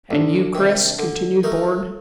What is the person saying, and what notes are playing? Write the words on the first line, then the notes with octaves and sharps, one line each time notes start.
"And you, Chris?" continued Bourne.
D2 D4
C3 D#3
D3
A3 D#4 A#4